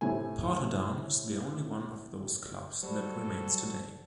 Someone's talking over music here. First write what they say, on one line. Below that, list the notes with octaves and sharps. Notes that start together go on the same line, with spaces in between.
Portadown is the only one of those clubs that remains today.
A2 C3 E3 A3 G#5
F#3 G3 A4 C5 D5 B5